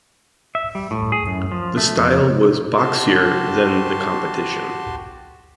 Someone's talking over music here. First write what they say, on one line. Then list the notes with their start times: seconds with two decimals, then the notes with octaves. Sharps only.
The style was boxier than the competition.
0.55 E5
0.75 G3
0.91 A2
1.12 G#4
1.27 F#2
1.52 F3
1.77 A3
1.97 F2
2.77 F#4 G4 A5 C6